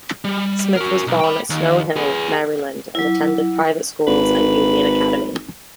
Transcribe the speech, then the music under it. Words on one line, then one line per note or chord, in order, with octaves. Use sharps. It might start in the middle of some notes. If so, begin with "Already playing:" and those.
Smith was born at Snow Hill, Maryland, and attended private schools and Union Academy.
G3
F#4 A#4
B1
G5 B5
D#2
G#4 B4
F#3 E4
G#1 B4